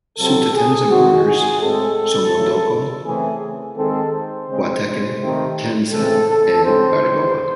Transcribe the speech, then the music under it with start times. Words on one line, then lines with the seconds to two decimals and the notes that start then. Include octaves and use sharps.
Sutatenza borders Somondoco, Guateque, Tenza and Garagoa.
0.18 C3 F#3 C4 A4
0.54 G#4
0.90 D#3 G#3 C4 F#4
1.25 G#4
1.61 A2 G#3 C4 A4
2.33 C#3 F#3 A3
3.05 C#3 E3 A3 C4 G#4
3.77 D#3 G#3 C4 A4
4.13 C5
4.49 C#3 G#3 C4
5.20 C3 D#3 A3 C4
5.92 C#3 E3 C4 A4
6.29 A4
6.64 C#3 G#3 C4 C5